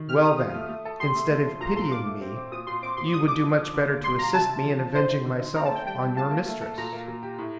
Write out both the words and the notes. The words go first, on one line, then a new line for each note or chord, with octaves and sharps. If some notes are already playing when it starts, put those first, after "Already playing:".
"Well, then, instead of pitying me, you would do much better to assist me in avenging myself on your mistress."
Already playing: D#3
G4 F6
G4 D#6
F4
A3
A3
A4
G4 C6
A3
A3
F3
A#2 A#5
A4 C6
F4 D6
A3
C4
C4
A#2 D#6
A#2 C6
C4 D6
A#2 C6
G3 D#6
D4 D6
F3
D3
D3
A#3
G3 C6
F4 A#5
C3 A5
C3
F3
F3
D#4 C5
D#4
D3
D#4
C4 A#5
A5
A3
G5
G3 G5
G3
F4 A5
A#3
A3
A4
A#2 A#5
A#3
A#2
G4
A2